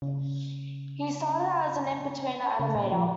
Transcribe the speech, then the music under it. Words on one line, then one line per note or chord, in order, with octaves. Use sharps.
He started out as an "In-Betweener" animator.
C#3
C#3
A#2
F3